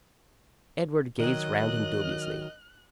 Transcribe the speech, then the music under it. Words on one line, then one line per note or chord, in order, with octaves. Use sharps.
Edward gazed around him dubiously.
D#3 F#3 D#5 F#6